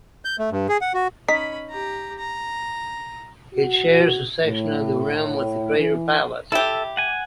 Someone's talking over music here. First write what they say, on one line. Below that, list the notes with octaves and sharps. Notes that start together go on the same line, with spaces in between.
It shares a section of rim with the crater Pallas.
G6
A3
G2
G#4
F#5
F#4
C#4 D#4 B5 B6
G4 A#5
A#5
F#4
A2
E3
E4 G4 A4 E5
F#5 G#5